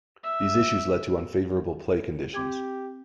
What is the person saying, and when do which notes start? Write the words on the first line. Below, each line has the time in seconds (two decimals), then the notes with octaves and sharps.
These issues led to unfavorable play conditions.
0.23 E5
2.34 C4 G4 D6 G#6